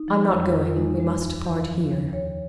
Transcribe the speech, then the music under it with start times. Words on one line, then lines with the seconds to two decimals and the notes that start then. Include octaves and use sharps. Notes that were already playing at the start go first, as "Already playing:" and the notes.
"I'm not going; we must part here."
Already playing: D#4
0.08 F3
0.31 F2
0.54 F2
0.65 F4
0.76 G#3 D#4
1.00 G#3
1.22 D#2
1.46 D#3
1.67 F3
1.91 D#2
2.13 D#2 C#5